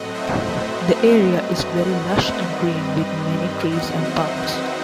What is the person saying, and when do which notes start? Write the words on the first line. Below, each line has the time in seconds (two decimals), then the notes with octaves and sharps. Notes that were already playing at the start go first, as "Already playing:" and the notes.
The area is very lush and green with many trees and parks.
Already playing: A2 F#3 A3 C4 D#5 F#5
0.14 C5 E5
0.46 B4 D#5
1.11 G2 F#3 A3 C4
1.76 D#5 F#5
2.09 C5 E5
2.41 G2 D#3 G3 C4 B4 D#5
3.72 E2 D#3 F#3 C4 D#5 F#5
4.04 C5 E5
4.36 B4 D#5